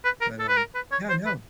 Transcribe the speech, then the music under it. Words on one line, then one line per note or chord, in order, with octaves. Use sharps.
but, um Yeah, no
B4
A#4
A4
B4
A#4
B4
C#5
C5
B4